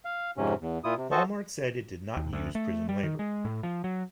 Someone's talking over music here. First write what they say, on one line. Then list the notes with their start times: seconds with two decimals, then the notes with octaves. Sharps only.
Walmart said it did not use prison labor.
0.05 F5
0.37 F2 G#2 C3 C#4
0.61 E2
0.84 A#2 E4 F4 D#6
0.97 C3
1.11 F#4 A4 C5 D#5 A5 C#6
2.17 D#2
2.33 D2
2.55 A3
2.89 G3
3.03 D#3
3.19 G#3
3.45 A2
3.63 F3
3.84 F#3